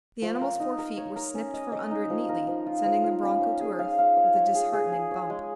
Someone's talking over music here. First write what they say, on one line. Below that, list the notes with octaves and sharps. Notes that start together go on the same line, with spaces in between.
The animal's four feet were snipped from under it neatly, sending the broncho to earth with a disheartening bump.
F3
A#4
D#4
A#4
C#5
A#4
C#4
D#5
D#5
D#4
F3
A#4
F3
F4
F3
F4
C#4
C#5
G#4
F5
F5
C#5
C#5
G#4
G#4
G#4
C#5
G#3